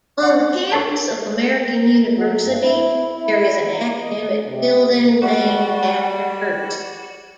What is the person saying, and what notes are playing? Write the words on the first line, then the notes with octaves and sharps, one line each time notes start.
On the campus of American University, there is an academic building named after Hurst.
F#5 C6
D4 A#4 C#5 A5 C#6
F#3
G2
E4
E4
A#5
D#5
C3
G3 F#4 D5